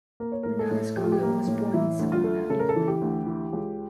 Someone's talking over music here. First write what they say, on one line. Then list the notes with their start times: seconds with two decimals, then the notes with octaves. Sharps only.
Renata Scotto was born in Savona, Italy.
0.20 A#3 A#4
0.32 C#5
0.43 A2 A#4
0.59 A4
0.71 A2
0.97 F3 G4
1.04 F4
1.12 G4
1.23 A#3
1.47 A2
1.73 E3 E4
1.99 D2
2.12 F4
2.24 A3
2.50 C#3 A4
2.59 A#4
2.69 A4
2.76 E3
2.88 G4
3.01 D2
3.26 E3
3.53 C#2